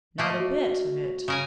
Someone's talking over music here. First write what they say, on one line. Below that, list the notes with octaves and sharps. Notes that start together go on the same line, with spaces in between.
'Not a bit of it.
A3 A#3 D#5
F#4
C#3 A#4 G#5